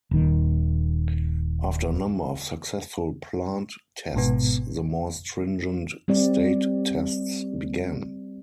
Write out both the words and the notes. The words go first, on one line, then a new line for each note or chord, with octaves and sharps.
After a number of successful plant tests the more stringent state tests began.
D#1 D#3
G#1 G#2 B2 B3
G3 C4 D5